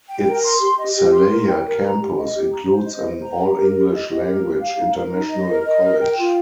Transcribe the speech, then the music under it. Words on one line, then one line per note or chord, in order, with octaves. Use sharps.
Its Salaya campus includes an all-English language international college.
G5
A#4
C6
G4
D#5
G4
C6
A#4
G5
A#4
A#5
G4
D#5
G4
A#5
C5
D#5
C5
A#5
G4
A#4
G4
D#5
G4
A#4
G4
F5
D#4
A#4
D#4
D#5
A#4
D#5
A#4
G5
F4